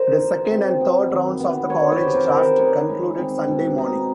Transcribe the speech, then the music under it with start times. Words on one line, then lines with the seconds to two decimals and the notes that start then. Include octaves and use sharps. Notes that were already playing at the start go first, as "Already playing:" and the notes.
The second and third rounds of the college draft concluded Sunday morning.
Already playing: A#4 C5
0.20 B2
0.51 C4
0.81 B3
1.10 D#3
1.40 B3
1.69 B3 B4 C#5
1.92 C5 D5
2.00 C3
2.07 B4
2.14 A#4 C5
2.29 D#3
2.36 A#4 C5
2.59 D#4 B4 C#5
2.89 G#3
3.18 C4
3.48 B2
3.78 D#4